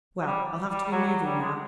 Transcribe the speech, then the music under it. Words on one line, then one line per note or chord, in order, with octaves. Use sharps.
Well, I'll have to be moving now.
F#3
G3
G3
G3
F#3
F#3
G3
G#3